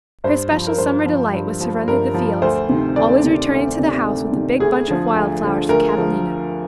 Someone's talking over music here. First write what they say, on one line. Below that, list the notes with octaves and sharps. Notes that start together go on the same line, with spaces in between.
Her special summer delight was to run through the fields, always returning to the house with a big bunch of wild flowers for Catalina.
G2 C5
F3
A#4
G2 C5
F3
G2
F3
G2 A#4
F3
D2 C5
C3 D#3
D2 D5
C3 D#3
D2
C3 D#3
D2
C3 D#3
D2 G#4
D3 F3
D2
D3 F3
D2 A#4
D3 F3